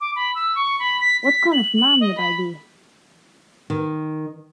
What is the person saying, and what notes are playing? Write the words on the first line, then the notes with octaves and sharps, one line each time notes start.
What Kind Of Man Would I Be?
D6
B5
E6
C#6
B5
B6
B6
F#7
F#7
D#5
B5
D#3